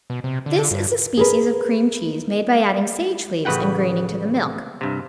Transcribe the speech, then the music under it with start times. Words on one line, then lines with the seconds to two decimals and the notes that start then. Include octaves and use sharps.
This is a species of cream cheese made by adding sage leaves and greening to the milk.
0.10 B2
0.24 C3
0.46 D3
0.71 G2
1.18 G#4 A#4 B4
3.45 A1 C#3 B4 F#5 G5
4.81 G2 C3